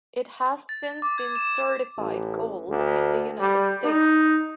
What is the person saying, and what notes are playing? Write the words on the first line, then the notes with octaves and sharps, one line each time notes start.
It has since been certified Gold in the United States.
A6
D6
G#6
E7
A1
D2
G3
D#4